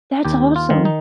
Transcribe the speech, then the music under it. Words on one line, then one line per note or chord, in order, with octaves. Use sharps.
That's awesome.
D#2 G4
F4
D#3
D#4